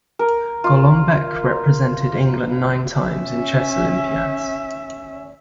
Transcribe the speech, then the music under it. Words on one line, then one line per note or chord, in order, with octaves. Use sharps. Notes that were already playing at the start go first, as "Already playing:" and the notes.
Golombek represented England nine times in chess Olympiads.
A#4
F4
C#4 E5